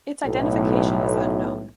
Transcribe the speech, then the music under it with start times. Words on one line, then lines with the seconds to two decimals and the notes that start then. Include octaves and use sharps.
Its identification is unknown.
0.25 B1 A2